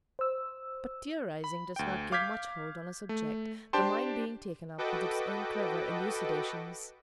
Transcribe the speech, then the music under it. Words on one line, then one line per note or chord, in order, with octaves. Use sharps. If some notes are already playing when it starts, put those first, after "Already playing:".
But theorizing does not give much hold on a subject, the mind being taken up with its own clever elucidations.
C5 E6
B5
D2 G5
F5 D6 F6 G6 G#6 B6
A3
D4 G4 C5 G5 A5 C6
F#4 A4 B4 D#5 G5 D6